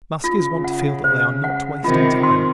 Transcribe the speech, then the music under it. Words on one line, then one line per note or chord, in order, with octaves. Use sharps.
Musculars want to feel that they are not wasting time.
C#3 F4
F#5
C5
F#5
C3 D#3 F4
C6